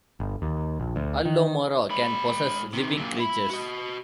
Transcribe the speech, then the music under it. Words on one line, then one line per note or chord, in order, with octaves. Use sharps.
All loumara can possess living creatures.
G1
D#2
A#1
D2
D#3
G#3 B5
C3 D#3
F#2 A#2
E4 B5
F#4 D#5